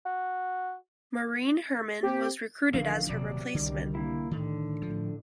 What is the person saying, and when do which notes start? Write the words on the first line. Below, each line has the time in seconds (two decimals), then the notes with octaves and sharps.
Maureen Herman was recruited as her replacement.
0.05 F#4
2.03 C4 G4
2.73 A1 D3 D#3 F3 D4 A#4 F5
3.09 D#1 C3 F#3 D5
3.55 C2 D3 D#3 G3
3.95 A#3 E4
4.31 A2 D3 D#3
4.82 A1 A2 F3